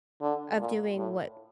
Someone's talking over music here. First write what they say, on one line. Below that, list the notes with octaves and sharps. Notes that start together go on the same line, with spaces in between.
of doing what
D3
A#2
A2